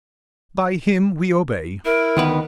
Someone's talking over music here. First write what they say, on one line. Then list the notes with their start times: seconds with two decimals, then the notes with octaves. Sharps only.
"By him we obey."
1.85 E4 A#4
2.17 D2 D#3 B3 B4